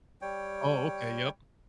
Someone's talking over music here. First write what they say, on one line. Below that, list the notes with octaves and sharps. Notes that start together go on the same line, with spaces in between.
Oh, okay, yep.
G3 C#5 G5